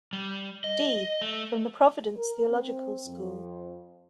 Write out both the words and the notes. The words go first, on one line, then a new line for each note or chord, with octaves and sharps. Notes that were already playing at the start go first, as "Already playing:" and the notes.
D. from The Providence Theological School.
G3
D#5
A3
A#4
C4
F2